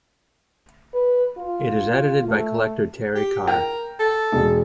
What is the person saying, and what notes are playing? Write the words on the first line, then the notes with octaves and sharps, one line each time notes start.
It is edited by collector Terry Carr.
B4
F4
A3
G4
A#4 G5
A4
E1